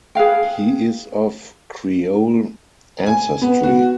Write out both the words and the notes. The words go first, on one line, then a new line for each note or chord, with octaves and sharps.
He is of Creole ancestry.
G#4 B4 F5 G5
G#5
B3
F#4